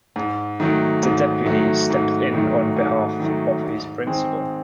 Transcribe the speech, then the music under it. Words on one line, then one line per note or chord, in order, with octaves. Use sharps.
The deputy stepped in on behalf of his principal.
G#2
D#3 F#3 A3
G#2
D#3 F#3 A3
G#2
D#3 F#3 A3
G#2
D#3 F#3 A3
G#2
D#3 G#3 C4